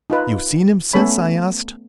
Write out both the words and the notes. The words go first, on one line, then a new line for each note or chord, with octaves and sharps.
"You've seen him since?" I asked.
D#4 F4 B4
A3 B3 C#4 A4 C#5 B5